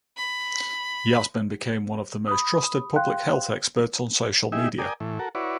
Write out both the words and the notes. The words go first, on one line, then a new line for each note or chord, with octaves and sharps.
Yasmin became one of the most trusted public health experts on social media.
B5
B5 D#6
F5 G5 C6 F#6
D#4 E4 G4 G#4 E5
A#4 D5 G5 G#5 D#6
A2 E3
F#4 A4 A#4
E4 F#4 B4 C#5 D5